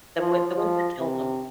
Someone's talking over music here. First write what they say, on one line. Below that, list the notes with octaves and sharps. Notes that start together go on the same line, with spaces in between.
the win the winter killed them.
F3
F3
C3